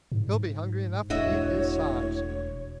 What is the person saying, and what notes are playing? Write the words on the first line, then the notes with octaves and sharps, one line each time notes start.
"He'll be hungry enough to eat his size."
G#2
E1 A2 D4 F#4 C#5 D#5 E5